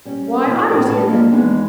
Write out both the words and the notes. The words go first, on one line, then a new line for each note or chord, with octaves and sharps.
Why, I was here then.
G3 C#4
F2 C4 D#4
A2 E4 A#4 D5 G5
A2 D4 A4 B4 G#5 A5
G#3 A#3 D4 F4 G#4
E2 G#3 B3 D#4